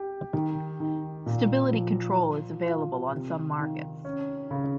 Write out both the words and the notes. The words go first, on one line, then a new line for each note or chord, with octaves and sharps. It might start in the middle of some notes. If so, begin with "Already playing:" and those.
Stability control is available on some markets.
Already playing: G4
D#3
D#3
A#2
F3
F4
F4
C3
D#3
C#4
C#3